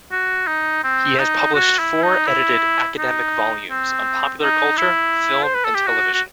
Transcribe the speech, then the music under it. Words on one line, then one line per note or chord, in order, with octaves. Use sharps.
He has published four edited academic volumes on popular culture, film, and television.
F#4
D#4
C4
D#4
F#4
E4
D#4
E4
D#4
C4
D#4
E4
C5
B4
A4
G4
F#4
F#4